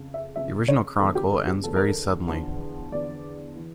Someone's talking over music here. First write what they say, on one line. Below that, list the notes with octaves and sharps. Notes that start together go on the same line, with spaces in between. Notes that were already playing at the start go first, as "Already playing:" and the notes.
The original chronicle ends very suddenly.
Already playing: F2 C#3
E5
F2 C#3 F3 E5
C#5
E2 D3 F3 A4
G4
A4
G4
E2 D3 F3 A4
A#4
A4
E2 D3 F3
E2 D3 F3 D5
E3